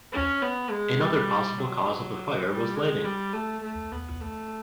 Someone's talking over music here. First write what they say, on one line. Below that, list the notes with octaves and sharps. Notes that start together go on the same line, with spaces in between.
Another possible cause of the fire was lighting.
C#4
B3
G#3
G3
F#3
G3
G#3
G3
A3
A3
B3
A3